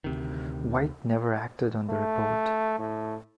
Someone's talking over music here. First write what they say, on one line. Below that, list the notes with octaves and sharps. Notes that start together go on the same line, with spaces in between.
White never acted on the report.
D2 C3 D#3
A3
A2